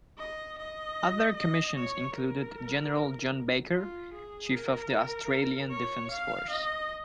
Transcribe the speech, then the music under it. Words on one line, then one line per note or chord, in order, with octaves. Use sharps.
Other commissions included General John Baker, Chief of the Australian Defence Force.
D#5
D#5
D#5
C#5
A#4
F4
G#4
A#4
C#5
F5
D#5